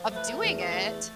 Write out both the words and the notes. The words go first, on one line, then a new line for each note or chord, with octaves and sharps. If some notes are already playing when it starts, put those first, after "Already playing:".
of doing it.
Already playing: F3
A3 B4
A#4
E2
G#4
A3 A4